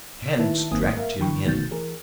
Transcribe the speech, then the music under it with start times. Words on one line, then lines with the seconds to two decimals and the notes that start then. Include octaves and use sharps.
Hands dragged him in.
0.39 D#3 E4 B4 E5 A5
0.71 G1 D#3 A#3 C4 G#5 D#6
0.97 A#4 E5 F5
1.20 D3 E3 G5 B5 C#6
1.45 B2 D#3 A3 F#4 G6 A6
1.71 E3 G#4 A#4